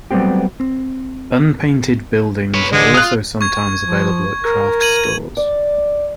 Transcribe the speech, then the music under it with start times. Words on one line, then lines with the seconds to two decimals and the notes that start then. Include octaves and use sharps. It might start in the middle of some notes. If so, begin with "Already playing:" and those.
Unpainted buildings are also sometimes available at craft stores.
0.11 F#3 G3 A3 B3 C4 G4
0.60 C4
2.54 B4 C#5
2.73 D3 G#3
2.94 F4 D#6 F#6
3.41 C#6 G#6
3.84 F3
4.44 A#4
4.81 G#6 D#7 F#7
5.37 D5